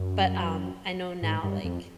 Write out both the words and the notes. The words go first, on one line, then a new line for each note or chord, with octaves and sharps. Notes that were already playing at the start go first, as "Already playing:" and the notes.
but, um, I know now, like
Already playing: F#2
G#2
G2
F2